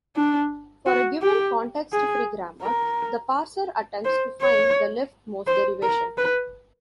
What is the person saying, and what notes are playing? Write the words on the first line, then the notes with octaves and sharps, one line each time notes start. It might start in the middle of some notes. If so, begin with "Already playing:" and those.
For a given context-free grammar, the parser attempts to find the leftmost derivation.
D4
F#4
G4
G#4
A#4
C5
C#5
C5
A#4
B4